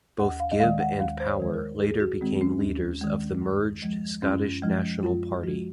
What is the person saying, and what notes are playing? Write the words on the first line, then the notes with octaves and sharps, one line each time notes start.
Both Gibb and Power later became leaders of the merged Scottish National Party.
D#2 F#5
F5
D#5
D#3 G#3 F5
F#5
D#2 F5
C5
C#5
D#3 G#3
A#4
D#2 G#4
F#4
D#3 G#3 C4
C#4
D#2
D#3 G#3
F#2
F3 G#3
F#2 C#4
F3 G#3
F#2 F4
F3 G#3 F#4